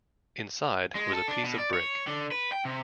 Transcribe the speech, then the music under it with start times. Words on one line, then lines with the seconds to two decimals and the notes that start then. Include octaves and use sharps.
Inside was a piece of brick.
0.95 G#3
1.13 A4
1.28 D4
1.44 B2
1.58 D5
1.73 C#5
2.07 D3
2.31 B4
2.52 G5
2.65 C3